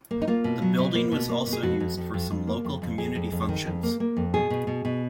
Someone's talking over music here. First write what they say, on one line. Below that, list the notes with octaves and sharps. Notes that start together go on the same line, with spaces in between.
The building was also used for some local community functions.
A#3
D#4
A#3 F4
B2
F#3
B2
A#3
B2
A#3
B2
G#4
F2 F#4
F2
F2
F2
F2
A#3
F2
F2
F2 G#4
F2
F2
D#3
F2
A#3
A#3
F2
B2 G#4
B2
B2
B2